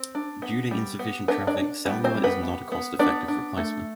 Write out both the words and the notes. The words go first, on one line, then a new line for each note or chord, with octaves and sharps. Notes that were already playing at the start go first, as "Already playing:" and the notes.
Due to insufficient traffic, cellular is not a cost-effective replacement.
Already playing: C4
D4
B3
G3
B3
B3 D4 B4
D4 D5
D4
G3 B3 B4
C4 C5
G3
B3 B4
B3
B3
B3 D4 D5
D4
A3